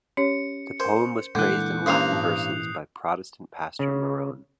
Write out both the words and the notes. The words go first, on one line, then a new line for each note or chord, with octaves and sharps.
The poem was praised in Latin verses by Protestant pastor Marron.
C#4 G4 C#5 C#7
A#4 C5
A#2 D3 E3 G#3 F#6 G6
G2 A#3 C4 C#4 D#6 C7 F7
G#2
C#3